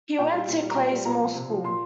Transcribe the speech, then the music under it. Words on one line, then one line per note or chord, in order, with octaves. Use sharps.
He went to Clayesmore School.
A#2 G5
G3
A#2
G3
A#5
A#2 G5
G5
G3
A#2 A#5
F3
C3
F3
A#2 C6